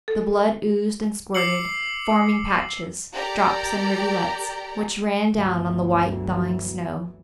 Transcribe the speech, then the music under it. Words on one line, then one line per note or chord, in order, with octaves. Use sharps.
The blood oozed and squirted, forming patches, drops and rivulets, which ran down on the white, thawing snow.
A4
D6 E6 C7 C#7 F#7
G4 A4 A#4 D5 A#5
G1 D2 E3 F#3